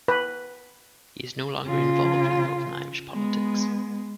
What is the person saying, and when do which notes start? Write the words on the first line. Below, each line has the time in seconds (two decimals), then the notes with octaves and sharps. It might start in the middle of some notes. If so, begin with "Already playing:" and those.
He is no longer involved in Northern Irish politics.
0.08 B4
1.65 C#3 F4
3.11 G#3 B3